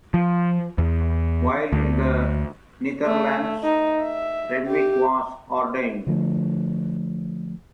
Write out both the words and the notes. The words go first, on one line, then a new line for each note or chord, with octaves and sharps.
While in the Netherlands Renwick was ordained.
F3
E2
D2
A3
D#4
E5
G4
D3 F3 A3